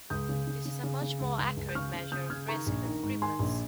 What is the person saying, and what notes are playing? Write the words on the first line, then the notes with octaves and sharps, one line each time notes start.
This is a much more accurate measure of risk than prevalence.
C#2 D#6 G6
C#3
C#3
C#3
C#3
C#3
C#2
C#2
C#2
G6
C#3 C#6 F6
C#3
C#3 D#6 G6
C#3 F6 G#6
D#3 A#5 C#6
A#1
D#3
G#2
D#3 G#5 C6
A#1